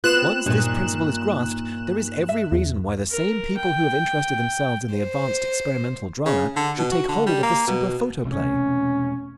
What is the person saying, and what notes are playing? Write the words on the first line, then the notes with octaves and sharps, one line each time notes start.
Once this principle is grasped there is every reason why the same people who have interested themselves in the advanced experimental drama should take hold of the super-photoplay.
B3 C4 F4 F#6 E7
G2 A#2 D#3
E5
E2
A#4
G5
C5
C#3
D3
B2
F#4
D3
G3
A#3
B2
E1 C3 A3 C#4